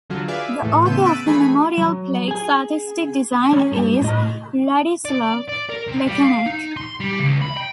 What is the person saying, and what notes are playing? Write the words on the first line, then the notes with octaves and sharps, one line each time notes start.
The author of the memorial plaque's artistic design is Vladislav Plekanec.
D3 F#3 F4 F#4
G#4 B4 D5 E5 F5 D6
A2 E3 A3
C#3 A3 B3 C6 G6 E7
E6 F#6 A6 B6 D7 D#7
E3 A3 G#4 G#5 B5
F#3
G#4 G#5
C#4
G2
A2 D#5
D5
D5
A#4
C3
G3
F5
D#4
C6
G3
C#2
B5
G5